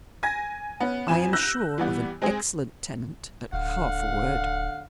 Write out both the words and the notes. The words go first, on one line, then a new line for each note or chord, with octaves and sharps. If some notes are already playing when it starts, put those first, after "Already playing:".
I am sure of an excellent tenant at half a word.
G#5 G#6 A#6
B3 C#4
F2 F3 G#5 E7
E6 F#6 G6 A#6
E3 G3 B3
G#3 C4 G#4
D1 D3 F5 F#5